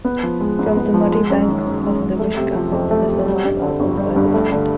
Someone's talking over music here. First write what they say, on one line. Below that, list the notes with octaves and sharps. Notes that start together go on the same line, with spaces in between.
"From the Muddy Banks of the Wishkah" is a live album by the band.
B3
F3
G#3
G#2
B3
F3
G#3
F#2
D#3
F#1
G#3
F#2
A3
C3
F3
F2
A3
C3
G3
G2
D3
G1
G3
G2
A3
D3